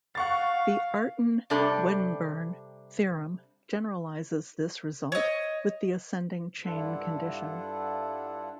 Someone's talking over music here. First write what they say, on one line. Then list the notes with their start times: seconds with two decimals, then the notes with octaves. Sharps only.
The Artin-Wedderburn theorem generalises this result, with the ascending chain condition.
0.15 F5 F#5 C#6 A6
1.50 C3 G3 D4 A4
5.12 C#5 D#5
6.65 G2 D4 E4 F4 A4 F#5